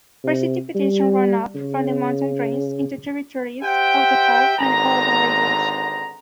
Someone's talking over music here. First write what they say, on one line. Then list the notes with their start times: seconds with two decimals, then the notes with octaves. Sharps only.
Precipitation runoff from the mountain drains into tributaries of the Hoh and Elwha Rivers.
0.24 C3
0.75 G3
1.55 C#3
3.63 G4 C5 E5 F#5 G5
4.59 G#1 D3 B3 C4 A#5